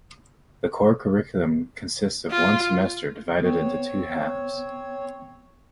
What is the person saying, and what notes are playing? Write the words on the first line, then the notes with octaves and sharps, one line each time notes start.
The core curriculum consists of one semester, divided into two halves.
F4
B3 C4 C#5